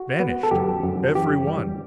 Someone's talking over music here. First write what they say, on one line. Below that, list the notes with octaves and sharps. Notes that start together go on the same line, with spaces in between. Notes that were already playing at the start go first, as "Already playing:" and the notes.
Vanished, every one!
Already playing: F#4
B3
A4
F#2 G4
F#2
E3 G4
G3